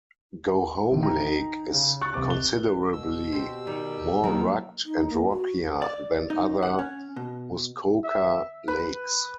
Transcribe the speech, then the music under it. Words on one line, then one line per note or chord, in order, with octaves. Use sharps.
Go Home Lake is considerably more rugged and rockier than other Muskoka lakes.
G#1 E2 A2 D3 D#3
D#4 G5 A#5
C#3
C#6 F#6 A6
F1 C2 C4 D6 A6
G7
B2 E6
C4 G4
D#3 G3
D#3 F#3 A#3 F#4 A#4
D#4
A#3
F#4
D5
D#4
F#5
C#4
B2
E5
B4